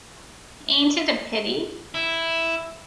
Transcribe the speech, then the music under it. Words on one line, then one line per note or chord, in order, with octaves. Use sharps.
Ain't it a pity?
E4